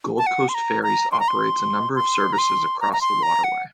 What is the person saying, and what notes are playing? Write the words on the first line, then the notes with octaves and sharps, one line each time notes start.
Gold Coast Ferries operates a number of services across the waterway.
A5
F#5
C6
A#5
A#5
C6
A#5
C6
C6
A#5
C6
A#5
A#5
C6
A#5
F#5